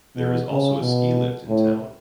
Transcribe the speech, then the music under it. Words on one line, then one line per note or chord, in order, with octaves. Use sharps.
There is also a ski lift in town.
B2
C#3
B2
A2